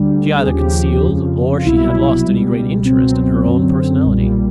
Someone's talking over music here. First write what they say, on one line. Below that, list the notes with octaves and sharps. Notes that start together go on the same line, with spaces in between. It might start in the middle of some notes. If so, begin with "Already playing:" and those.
She either concealed or she had lost any great interest in her own personality.
Already playing: D2 D3 G3
G#4
D#2 C#3 F3 G4
F2 C#3 F3
F4
C2 B2 F#3 E4
C#2 B2 G3
C#2 B2 F#3 C4
F#2 D3 F#3
B1 A#2 G3